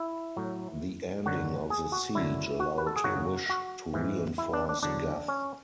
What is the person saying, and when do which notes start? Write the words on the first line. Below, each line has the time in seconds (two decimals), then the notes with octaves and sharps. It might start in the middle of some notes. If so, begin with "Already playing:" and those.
The ending of the siege allowed Whish to reinforce Gough.
Already playing: E4
0.37 A2 F#3
1.25 F#2 D3 F#3 F#4
1.70 G#4
1.92 F#4
2.15 F#2 D3 F#3 E4
2.60 F#4
2.78 B4
2.87 A4
2.96 G#4
3.04 F#2 C#3 F#3 F#4
3.49 F#4
3.94 G#2 E3
4.38 E4
4.53 D4
4.69 D4
4.83 E2 D3 F#3 D4
5.28 C#4